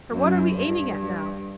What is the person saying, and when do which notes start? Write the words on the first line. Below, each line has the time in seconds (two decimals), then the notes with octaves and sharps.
For what are we aiming at now?
0.12 F#2
0.57 G2